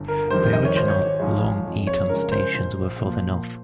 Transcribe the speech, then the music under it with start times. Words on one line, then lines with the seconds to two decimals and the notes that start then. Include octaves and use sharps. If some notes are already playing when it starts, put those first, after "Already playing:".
The original Long Eaton stations were further north.
Already playing: G1
0.08 A#4
0.30 F2 D#3 G3 C5
0.53 D#5
0.65 C#5
0.75 G#1 C5
0.88 C#5
1.20 G#2 F3 G#3
1.64 F2
1.87 C#5
2.09 C#3 F3 G#3 A#4
2.32 C5
2.54 A#1 C5
3.00 A#2 F3